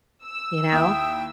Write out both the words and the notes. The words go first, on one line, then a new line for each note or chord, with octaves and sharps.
you know?
E6
D#2 E4 G5 D#6